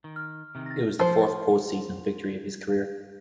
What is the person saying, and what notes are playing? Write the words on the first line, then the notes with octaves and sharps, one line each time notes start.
It was the fourth post-season victory of his career.
D#3
F6
C3 D#3
A6 A#6
F3 C5